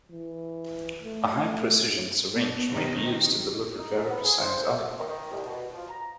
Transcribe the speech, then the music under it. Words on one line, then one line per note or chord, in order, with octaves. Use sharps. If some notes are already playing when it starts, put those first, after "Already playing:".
A high-precision syringe may be used to deliver very precise aliquots.
E3
A3
B2
C3 D#3 D#4
D#4
G#2
B3
G#4
C5
A3
D#3
D#3
C2
B2
F3
A#5